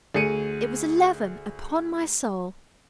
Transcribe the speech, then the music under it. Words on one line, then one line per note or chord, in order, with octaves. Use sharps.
It was eleven, upon my soul!
D2 G#4 C#7 D#7